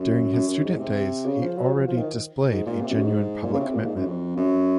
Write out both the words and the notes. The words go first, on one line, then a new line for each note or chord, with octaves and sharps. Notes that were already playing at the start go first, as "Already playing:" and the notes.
During his student days he already displayed a genuine public commitment.
Already playing: F#2
F#2
F#2
G#2
C3
C#3
F3
F#3
F3
F3
D#3
G#2
A#2
C3
F#2
G#2
A#2
C#3
C3
A#2
G#2
F#2
F2
F#2